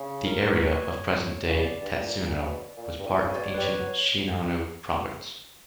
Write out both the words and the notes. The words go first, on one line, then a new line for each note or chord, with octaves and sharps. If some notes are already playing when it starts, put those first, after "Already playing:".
The area of present-day Tatsuno was part of ancient Shinano Province.
Already playing: C#3
A#4
C#5
B4
C#5
C#3
B2 D5
G2
G2
A#2
A#2
C#3
B2
A#2
G2
A#2
C#3
C#5
B2 D5
G3 B4
C#5
F#3